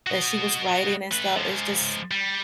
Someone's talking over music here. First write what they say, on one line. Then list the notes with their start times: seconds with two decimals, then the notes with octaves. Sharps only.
that she was writing and stuff. It's just
0.07 F#4 D#5
1.12 A3 B4
1.36 G#2 F3
2.11 G3